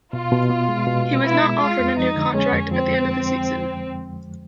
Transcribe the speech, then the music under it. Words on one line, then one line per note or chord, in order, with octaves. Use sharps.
He was not offered a new contract at the end of the season.
B2 F4
B2
B3
G#3
B2
B2
B3 E4
G#3
G#3 F4
F2
F3 D#4
D3
G#3 C#4
F2
F3 C4